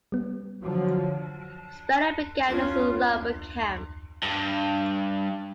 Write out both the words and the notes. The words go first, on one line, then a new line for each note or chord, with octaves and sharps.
Spenard began as a lumber camp.
G3 B3
D3 F3 F#3
C#4 F4
B3
G2